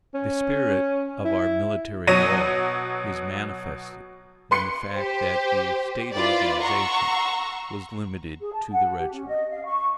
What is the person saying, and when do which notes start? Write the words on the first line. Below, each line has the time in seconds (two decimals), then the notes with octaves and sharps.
The spirit of our military law is manifested in the fact that the State organization was limited to the regiment.
0.14 C#4
1.25 E4
2.07 B2 F#3 C#5 A#6 D#7
4.51 B4 C6 C#7
4.94 G4 C5
6.13 E4 F4 B4 D5
6.61 F#5 A#5 C6 C#6 E6
8.40 G#4
8.53 A5
8.71 F#5
8.99 G4
9.12 C#4
9.27 D#5
9.50 F5
9.65 C#6